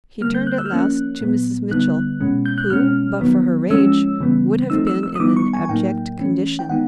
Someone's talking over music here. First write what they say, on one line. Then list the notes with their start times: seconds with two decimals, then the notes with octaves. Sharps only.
He turned at last to Mrs. Mitchell, who, but for her rage, would have been in an abject condition.
0.21 D3 G3 A#3 F6
0.35 G6
0.47 F#6
0.58 E6
0.66 F6
0.71 F3 A#3 C#4 F#6
1.21 A#2 F#3 B3
1.71 D3 G3 B3 D#4 F#6
2.21 B2 G#3 C#4
2.46 G6
2.58 F#6
2.70 B2 G#3 C#4 F6
3.21 D#3 F#3 B3
3.70 F3 G#3 C#4 E6
4.20 C#3 E3 G3 B3
4.70 F3 A3 C4 D#4 E6
4.87 E6
5.03 E6
5.15 D#6
5.19 D#3 G3 B3 D#4 D6
5.36 C#6
5.53 G#5
5.65 G#5
5.69 A2 F#3 A#3 D#4 G5
6.19 E3 A3 C#4
6.59 G5
6.69 D#3 G#3 B3 D#4 F#5